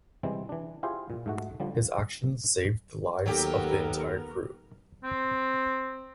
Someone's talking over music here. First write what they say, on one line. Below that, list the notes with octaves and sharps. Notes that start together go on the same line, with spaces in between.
His actions saved the lives of the entire crew.
C3 E3 G3 G#3 C4
E3 D4
E4 F4 G4 G#4 C5
A#2
G#2 A3 F#4
D3 F3 G3
D#2 F#3 B3 G4 A4 A#4
C4